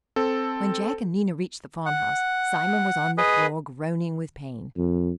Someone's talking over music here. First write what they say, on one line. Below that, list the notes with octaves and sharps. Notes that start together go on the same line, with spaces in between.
When Jack and Nina reached the farmhouse Simon was on the floor, groaning with pain.
C4 A4
F#5
G#4 B4 D#5
F2